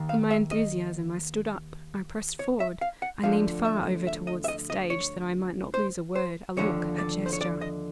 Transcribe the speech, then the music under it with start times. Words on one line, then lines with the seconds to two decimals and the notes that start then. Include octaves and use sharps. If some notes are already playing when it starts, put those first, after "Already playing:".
In my enthusiasm I stood up, I pressed forward, I leaned far over towards the stage, that I might not lose a word, a look, a gesture.
Already playing: D#2 D#3
0.09 F5
0.30 E5
0.51 D#5
2.39 C#5
2.60 E5
2.81 F5
3.02 F#5
3.23 D2 D3 F3 F5
3.65 E5
4.07 E5
4.27 D#5
4.44 E5
4.48 D#5
4.70 D#5
4.90 C#5
5.74 C5
6.15 C5
6.57 D#2 D3 F3 C#5
6.98 D5
7.26 C5
7.33 C#5
7.41 D5
7.61 D#5